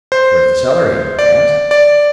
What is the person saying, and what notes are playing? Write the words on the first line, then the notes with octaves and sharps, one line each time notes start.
"What is the salary?" I asked.
C5
D5
D5